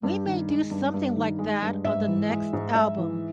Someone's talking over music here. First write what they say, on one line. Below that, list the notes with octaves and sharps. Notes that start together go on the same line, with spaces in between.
We may do something like that on the next album.
G2
D#3
G#3
G2
G2
D#3
G#3
G2
G#2 E5
E3
G#3
G#2
G#2 E5
E3